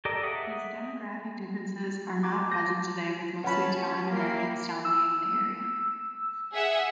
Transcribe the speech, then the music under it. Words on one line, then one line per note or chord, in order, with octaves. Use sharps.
These demographic differences are not present today with mostly Italian-Americans dominating the area.
G4 A4 A#4 D5 D#5
G#4 E5 F#5 D#6
D6
G6 A#6
C#4 C#5 F#5 A5 B5
C#4
A#3 E4 G5 C7
E6
G#4 E5 F#5